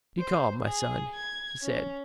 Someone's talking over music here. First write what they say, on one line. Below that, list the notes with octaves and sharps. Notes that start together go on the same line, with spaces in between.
"Be calm, my son," he said.
C5
G#4
G#6
C#4